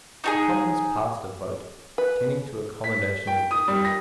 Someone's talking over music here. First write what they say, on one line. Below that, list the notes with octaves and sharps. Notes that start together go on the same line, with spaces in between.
The Commons passed a vote tending to accommodation with the King.
D#4 F#4 G#4
B4
B6
G5
D#6
G3
A#6